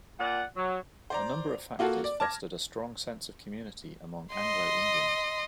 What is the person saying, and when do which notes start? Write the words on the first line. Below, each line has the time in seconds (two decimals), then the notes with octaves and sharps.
A number of factors fostered a strong sense of community among Anglo-Indians.
0.19 A#2 D5 F#5
0.56 F#3
1.10 C5 D5 A#5
1.79 A#3 F4 F#4 A4
2.04 D5
2.20 A5 D6 F6 G#6 A#6
4.34 D#5 C6